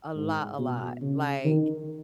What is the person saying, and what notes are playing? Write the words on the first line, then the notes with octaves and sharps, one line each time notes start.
A lot, a lot, like
G#2
B2
C#3
D#3